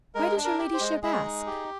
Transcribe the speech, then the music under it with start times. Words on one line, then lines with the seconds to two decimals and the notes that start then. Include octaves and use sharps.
"Why does your ladyship ask?"
0.15 G#3 A#4
0.36 D4
0.45 A#4
0.59 G4
0.74 C5
0.80 G#3
1.03 G#3 G#4
1.25 D#4
1.47 G4